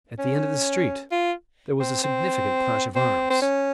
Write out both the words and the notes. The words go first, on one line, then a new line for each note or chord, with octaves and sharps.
At the end of the street there was a significant clash of arms.
C#4
F4
C4
C4
C4
C4
C#4